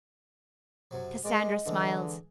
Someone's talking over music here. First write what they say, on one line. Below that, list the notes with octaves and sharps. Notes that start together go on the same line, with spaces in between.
Cassandra smiled.
F#2 C3 F#3
G#3 A#4 D5 D#5
D3 E3 G#3